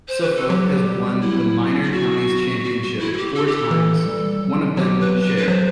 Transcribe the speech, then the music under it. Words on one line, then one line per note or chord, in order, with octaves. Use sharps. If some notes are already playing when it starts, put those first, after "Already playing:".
Suffolk has won the Minor Counties Championship four times, one of them shared.
C5
B4
A4
F#3 G4
G3
F#3 E4
E4
F#4
G3 F#4
F#3 F#4
E3 E4
A4
D#3 G4
A4
G4
A4
E3
G3
F#3
F#3 G4
B4
B4
B4
F#3 C5